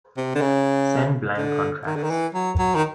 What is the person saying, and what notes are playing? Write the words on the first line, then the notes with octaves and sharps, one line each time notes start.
Send blank contracts.
C3
D3
C#3
D3
D#3
D3
D#3
E3
F#3
F#3
D#3